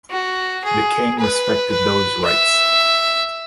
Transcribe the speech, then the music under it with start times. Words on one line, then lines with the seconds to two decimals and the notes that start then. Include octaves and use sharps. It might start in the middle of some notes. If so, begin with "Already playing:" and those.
The king respected those rights.
0.10 F#4
0.64 G#4
1.18 B4
1.72 B4
2.25 E5